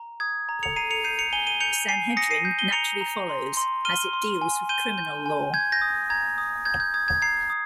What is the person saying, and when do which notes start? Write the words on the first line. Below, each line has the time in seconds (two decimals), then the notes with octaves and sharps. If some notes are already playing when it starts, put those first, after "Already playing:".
Sanhedrin naturally follows, as it deals with criminal law.
Already playing: A#5
0.20 D#6 G#6
0.49 A#5
0.63 C#7 F7
0.76 A#5 C7 D#7
0.91 C#7 F7
1.04 G6 C7 D#7
1.19 C#7 F7
1.33 G#5 D#7 G7
1.47 D#7 G7
1.60 G6 C#7 F7
1.89 G#5 C7 D#7
2.17 D#6 A#6 C#7
2.31 C7 D#7
2.45 G6
2.59 D#7 G7
2.72 A#5 C#7 F7
3.01 A#5
3.29 C6
3.57 C6
3.85 F6 D#7 G7
4.13 C6
4.41 G#5
4.69 G6 D#7 G7
4.98 G6
5.26 G#5
5.54 G6 G#6
5.72 G6 A#6
5.82 D#6
6.10 A#5 G#6
6.38 D#6
6.65 G6 G#6
6.80 G6
6.94 D#6 G#6
7.08 G#6
7.22 A#5 G#6 C7
7.50 D#6